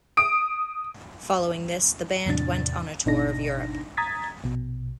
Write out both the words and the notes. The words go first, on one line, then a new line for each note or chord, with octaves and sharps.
Following this, the band went on a tour of Europe.
D#6 D7
E2 A2 C3 D4 A6
G#1 B2 D4 D#4 A#6
A#5 D#6 G#6 A6 B6
A#1 B2